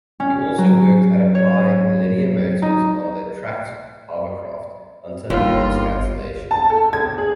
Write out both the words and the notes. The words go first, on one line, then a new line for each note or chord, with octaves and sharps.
He also worked at applying linear motors on the Tracked Hovercraft until its cancellation.
C#4
F#3
C#5
D#4
G1 D#2 F4
A5
A4
G#6
G#4